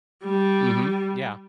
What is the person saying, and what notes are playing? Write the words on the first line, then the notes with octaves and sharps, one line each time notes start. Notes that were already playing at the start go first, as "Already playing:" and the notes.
Mhm. Yeah.
G3